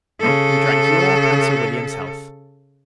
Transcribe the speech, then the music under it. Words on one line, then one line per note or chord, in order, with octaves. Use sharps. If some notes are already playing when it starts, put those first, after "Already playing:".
We drank your and Sir William's health.
C#3 A4